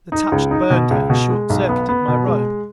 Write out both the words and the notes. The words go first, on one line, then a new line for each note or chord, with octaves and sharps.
The touch burned her, and short-circuited my robe.
D#4
C#2
D#4
B2
C#2
B2
G#3
B1
B3
B3
B2
G#3